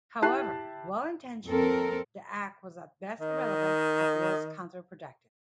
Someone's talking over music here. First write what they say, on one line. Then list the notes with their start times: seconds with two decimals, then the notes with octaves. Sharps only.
However well-intentioned, the Act was at best irrelevant, at worst counter-productive.
0.22 E4 G4 A5 F#6 C7
1.46 F2 C4 A4 A#4
3.21 D#3 D#5